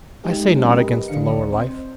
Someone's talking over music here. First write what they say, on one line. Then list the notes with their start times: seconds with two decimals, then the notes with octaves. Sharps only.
I say naught against the lower life.
0.24 G#3 A3 D#4 G4 G#4
0.54 B2 F#3 G#3 C4 C#4
0.72 G4 A#4 B4 D#5
1.08 G#1 D3 D#3 D4 F5 C#7
1.30 C#2 D5
1.50 C4 C5 D#5